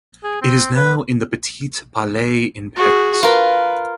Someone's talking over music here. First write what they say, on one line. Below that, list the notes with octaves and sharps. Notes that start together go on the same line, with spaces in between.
It is now in the Petit Palais in Paris.
G#4
C4
B4
F#4 G#4
F4 A#4 B4